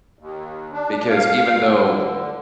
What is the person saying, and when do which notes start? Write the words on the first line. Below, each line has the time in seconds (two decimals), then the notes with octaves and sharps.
because even though
0.19 D#2
0.73 D4
1.10 F5
1.70 D3